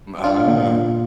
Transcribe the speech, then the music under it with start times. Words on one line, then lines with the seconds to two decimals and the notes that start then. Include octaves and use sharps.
M ah.
0.24 D4 F4
0.48 A#2
0.71 A#2